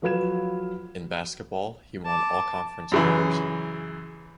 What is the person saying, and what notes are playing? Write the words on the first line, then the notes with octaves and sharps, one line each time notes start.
In basketball, he won All-Conference honors.
F3 F#3 B4 F5 G#6 E7
A5 D6
F#2 C#3 E3